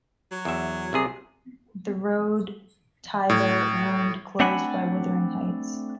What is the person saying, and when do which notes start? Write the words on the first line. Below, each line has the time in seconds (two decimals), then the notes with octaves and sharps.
The road thither wound close by Wuthering Heights.
0.32 F#3
0.45 E2 E5
0.93 C2 C3 G#4
3.30 A2
4.40 A3 C4 D4 F#5 G#5 B5